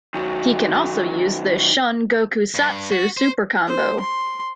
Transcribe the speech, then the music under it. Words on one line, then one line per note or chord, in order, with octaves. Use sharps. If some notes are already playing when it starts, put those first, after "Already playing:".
He can also use the "Shun Goku Satsu" Super Combo.
D#3 F#3
G2
F#4
C5
C5
C6